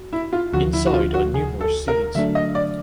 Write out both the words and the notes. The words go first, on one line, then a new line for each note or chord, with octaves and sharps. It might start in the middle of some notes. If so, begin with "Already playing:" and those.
Inside are numerous seeds.
Already playing: F#4
E4
F4
D2 D3 F3 F#4
E4
F#4
F4
F#4
G#4
A4
A#4
D3 F#3 A3 D4 E5
D#5
D5